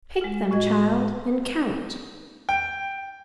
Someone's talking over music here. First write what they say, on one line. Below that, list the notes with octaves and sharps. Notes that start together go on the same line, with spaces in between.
Pick them, child, and count.
G#3 F4
A2 F#4 D#5 G#6
G5